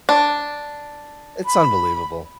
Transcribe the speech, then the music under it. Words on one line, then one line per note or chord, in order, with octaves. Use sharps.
It's unbelievable.
D4
B5